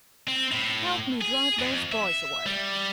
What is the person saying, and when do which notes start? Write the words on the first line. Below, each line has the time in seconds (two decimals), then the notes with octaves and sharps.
"Help me drive those boys away."
0.28 C4
0.52 A2
1.21 G#4
1.59 F2
1.92 E5
2.46 G3